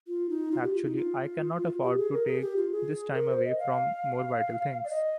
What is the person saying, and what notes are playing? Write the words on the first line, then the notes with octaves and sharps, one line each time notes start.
Actually, I cannot afford to take this time away from more vital things.
F4
D#4
F4
G4
F4
D#4
F4
G4
G#4
A#4
G#4
G4
F4
G#4
A#4
C5
D#5
F5
D5
D#5